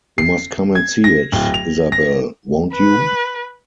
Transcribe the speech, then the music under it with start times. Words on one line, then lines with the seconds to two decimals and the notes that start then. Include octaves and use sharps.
You must come and see it, Isabel — won’t you?
0.18 C7
0.75 G#6
1.04 A#6
1.32 D1
1.54 F7
1.92 A#6
2.74 B4